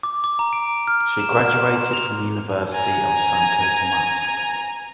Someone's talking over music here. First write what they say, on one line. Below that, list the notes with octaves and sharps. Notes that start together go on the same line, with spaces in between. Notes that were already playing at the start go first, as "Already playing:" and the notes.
She graduated from University of Santo Tomas.
D6
D6
A#5
D7
F6
F6
E7
E7
F6
C6
E7
F7
G#5 A#5